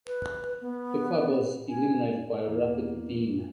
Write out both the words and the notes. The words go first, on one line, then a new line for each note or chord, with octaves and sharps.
The club was eliminated by Rapid Wien.
B4
B3
G#5
E2 A#3